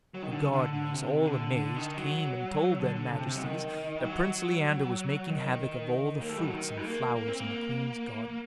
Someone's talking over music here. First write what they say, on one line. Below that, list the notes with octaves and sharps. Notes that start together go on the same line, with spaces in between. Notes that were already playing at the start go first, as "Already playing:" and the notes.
The gardeners, all amazed, came and told their majesties that Prince Leander was making havoc of all the fruits and flowers in the queen's garden.
F#3
D#3
D3
D3
D3
C3
D3
D3
D#3
F#3
D3
D3
C3
C3
F#3
D#3
F#3
D#3
A#3
A3
G3
F#3
D#3
A#3
A#3
C4
A#3